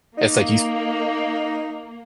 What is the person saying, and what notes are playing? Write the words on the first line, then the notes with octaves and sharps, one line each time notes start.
It's like you s
A#3 D#4